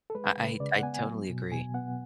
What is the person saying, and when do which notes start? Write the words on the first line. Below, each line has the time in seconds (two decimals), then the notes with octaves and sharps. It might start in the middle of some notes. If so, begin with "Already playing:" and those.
I I I totally agree.
0.10 A4
0.15 G#3 B4
0.37 C#3
0.60 C#3 D5
0.71 F#5
0.83 B3 G#5
0.94 G#5
1.06 F#3
1.29 B2
1.52 B2 G#5
1.74 B3 F#5